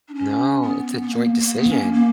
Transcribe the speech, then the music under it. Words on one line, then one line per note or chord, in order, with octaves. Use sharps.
No. It's a joint decision.
D4
C#4
B3
B3
A#3
A#3
B3
C#4
A#3
A#3